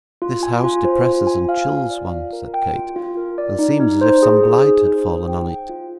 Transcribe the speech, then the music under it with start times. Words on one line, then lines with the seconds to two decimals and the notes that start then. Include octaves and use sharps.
'This house depresses and chills one,' said Kate, 'and seems as if some blight had fallen on it.
0.22 F4
0.43 G#5
0.64 F4
0.85 C5
1.06 F4
1.27 G#5
1.49 F5
1.70 F4
1.90 D5
2.12 F4
2.33 A#4
2.54 G5
2.75 F4
2.96 F4
3.17 A#4
3.38 D5
3.59 D#4
3.80 D#4
4.01 C5
4.23 G#4
4.43 G#4
4.65 D#4
4.85 C5
5.07 C5
5.28 G5
5.49 G5
5.69 F4